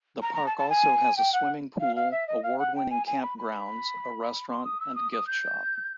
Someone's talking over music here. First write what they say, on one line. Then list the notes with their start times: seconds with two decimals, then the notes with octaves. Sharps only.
The park also has a swimming pool, award-winning campgrounds, a restaurant, and gift shop.
0.22 A#5
0.34 A#5
0.46 A5
0.58 A5
0.69 G#5
1.17 G5
1.33 F#5
1.80 F5
1.96 F5
2.11 E5
2.27 D#5
2.43 F5
2.59 F#5
2.75 G5
2.90 G#5
3.06 G#5
3.22 B5
3.38 B5
4.49 C6
4.64 D#6
4.80 E6
4.95 D#6
5.12 D#6
5.27 G6